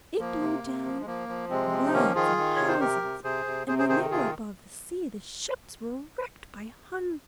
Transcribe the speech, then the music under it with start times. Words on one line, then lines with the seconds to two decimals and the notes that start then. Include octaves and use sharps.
It blew down woods and houses, and when they were above the sea the ships were wrecked by hundreds.
0.19 F3 A#3
0.41 C3
0.63 C3
0.85 F3
1.01 G#3
1.06 F3 A#3
1.29 F3
1.50 C3 G#3 C4
1.71 F3
1.86 D#4
1.93 D#3 A#3 C#4
2.15 D#3 F4 G#4
2.37 D#3
2.56 C3 C#5
2.68 C5
2.80 C3 G4 A#4
3.02 C3
3.23 C3 G#4 C5
3.46 C3
3.68 C3 G#4 C5
3.78 G#4 C5
3.89 D#3 G#4 C5
4.11 C3 F4 G#4